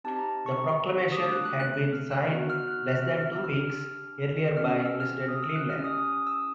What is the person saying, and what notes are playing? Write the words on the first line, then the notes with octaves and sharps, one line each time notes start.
The proclamation had been signed less than two weeks earlier by President Cleveland.
C4 D#4 G4 A5
A#5
C#6
D#6
A3 D4 G4 D6
F#6
F#6
F#6
F#6
F6
F#6
B3 D#4 F#4 F#6
F6
F#6
F#6
F6
F6
E6
D4 G4 F6
A#3 C#4 F#4 A4 F6
E6
F6
F6
D#6
E6
F#6
C#4 E4 G4 F6
D#6
D#6
D#6
E6